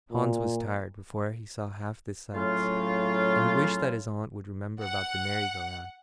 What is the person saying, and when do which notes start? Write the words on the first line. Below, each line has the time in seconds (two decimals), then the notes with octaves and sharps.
Hans was tired before he saw half the sights; and he wished that his aunt would remember about the merry-go-round.
0.12 A#2
2.34 A2 C#3 F#3 A3 F4
4.83 F#5